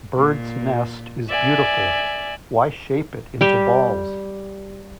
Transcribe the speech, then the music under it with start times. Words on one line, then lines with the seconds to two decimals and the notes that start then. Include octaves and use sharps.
Bird's nest is beautiful -- why shape it into balls?
0.16 A#2
1.30 D5 E5 G#5
3.41 G3 G4